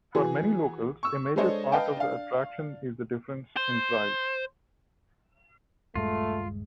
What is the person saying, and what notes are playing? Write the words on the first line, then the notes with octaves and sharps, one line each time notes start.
For many locals, a major part of the attraction is the difference in price.
E3 F#4 G#4
C#6 E6
G#3 D4 A4 C5 C#5 D#5
B4 D#5 F5 G5 A5
D4 F5
C5
D#1 G2 G#3 A3 F4